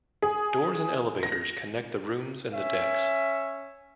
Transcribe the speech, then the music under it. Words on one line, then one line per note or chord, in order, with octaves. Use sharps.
Doors and elevators connect the rooms and the decks.
G#4
A#6
C#4 E5